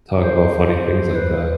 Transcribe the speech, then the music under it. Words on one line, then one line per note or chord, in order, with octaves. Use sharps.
talk about funny things like that.
C5
B4